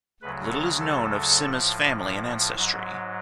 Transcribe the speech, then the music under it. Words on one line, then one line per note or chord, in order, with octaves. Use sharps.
Little is known of Sima's family and ancestry.
D2 C#3 F#3 B4
A4
A4
A2 F3
G#2 F#3